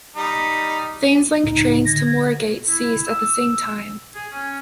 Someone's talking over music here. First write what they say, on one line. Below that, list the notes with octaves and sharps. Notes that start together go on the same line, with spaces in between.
Thameslink trains to Moorgate ceased at the same time.
G3 D#4
C#2 A2 C#3 D#4
D3 G#6 A#6
E4
E6
G#4
C#4